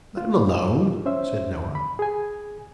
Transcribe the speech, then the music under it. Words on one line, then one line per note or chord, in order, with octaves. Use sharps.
'Let him alone!' said Noah.
F4
C#4 C5 E5
B5
G#4 G#5